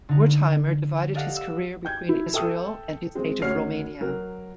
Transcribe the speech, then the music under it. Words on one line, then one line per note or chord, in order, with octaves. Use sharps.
Wertheimer divided his career between Israel and his native Romania.
D3 D#4
G4 A4 D5 D#5 F5 F#5
E6
G5 G6 G#6
E4
A4 E5 G5 D#6 E6
G#3 C4
D2 C#4 F#4 C#5 F6 C7
F#3 A#4